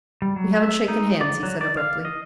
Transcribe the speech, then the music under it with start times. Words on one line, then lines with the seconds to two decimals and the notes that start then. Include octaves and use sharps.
"We haven't shaken hands," he said, abruptly.
0.22 G3
0.36 F#3
0.62 E5
0.88 D#4
1.21 D5
1.43 F#3
1.61 D5
1.77 F5
2.05 D#5